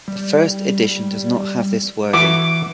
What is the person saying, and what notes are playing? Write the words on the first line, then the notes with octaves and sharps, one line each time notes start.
The first edition does not have this wording.
G3
E3 E4 F#4 D6